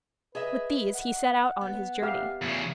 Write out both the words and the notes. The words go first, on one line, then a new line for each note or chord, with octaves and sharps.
With these he set out on his journey.
G#4 B4 D#5 E5
F#5
B3
G4 E5 F5
E2 C#3 F4